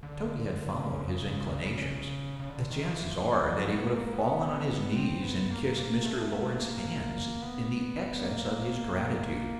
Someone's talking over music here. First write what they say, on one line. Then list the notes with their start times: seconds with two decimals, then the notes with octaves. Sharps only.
If Toby had followed his inclinations, the chances are that he would have fallen on his knees, and kissed Mr. Lord's hands in the excess of his gratitude.
0.03 D3
0.84 C#3
1.66 C#3
2.40 C#3
2.49 D3
2.70 D#3
2.90 E3
3.10 F3
3.32 F3
3.52 F#3
3.72 B3
3.93 A#3
4.13 B3
4.95 C4
5.22 B3
5.50 A#3
5.78 A#3
6.04 A3
6.32 A3
6.59 A#3
7.42 B3
8.23 A#3